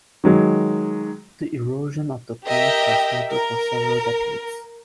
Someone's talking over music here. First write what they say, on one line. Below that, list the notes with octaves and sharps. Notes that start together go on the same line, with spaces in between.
The erosion of the coast has noted for several decades.
D#3 F#3 G#3
G4 A#4 D#5 E5 G5
A#4